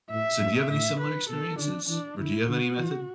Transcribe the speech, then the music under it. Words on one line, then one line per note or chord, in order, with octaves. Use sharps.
So, do you have any similar experiences? Or do you have any method?
A2 E5
F#2
A2 E5
B4
B2 A4
D3 D4
E3 D4
D3 E4
D3 F#4
E3